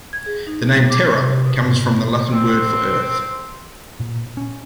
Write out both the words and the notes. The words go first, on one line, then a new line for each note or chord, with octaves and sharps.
The name "Terra" comes from the Latin word for Earth.
G#6
G#4
D#4
G3
D6
C3
G4
B2
G#2
B3
C4
A#2
C#4